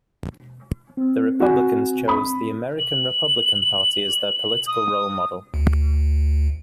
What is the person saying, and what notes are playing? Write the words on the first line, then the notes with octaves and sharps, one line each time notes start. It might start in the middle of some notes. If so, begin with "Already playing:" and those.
The Republicans chose the American Republican Party as their political role model.
C4
F#4 G#5
B5 D#6
F#7
D#6
D2